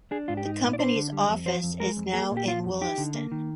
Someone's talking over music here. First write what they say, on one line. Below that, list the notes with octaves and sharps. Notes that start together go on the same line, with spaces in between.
The company's office is now in Wollaston.
D4 G#4
G#2 F4
G4
D#4
A#2
D5
D4 C5
D3
G3
F2
F3 C5
F2
G#3 A#4
F2
A#3 G#4
A#2
G4
F3 F4
F2
D#4 G4
D3
A#3
D#3